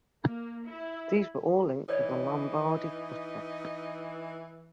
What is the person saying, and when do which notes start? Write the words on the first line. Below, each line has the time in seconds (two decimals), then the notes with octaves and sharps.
These were all linked to the Lombardy cluster.
0.23 A#3
0.67 E4
1.88 E3 D#4 B4 C#5 D5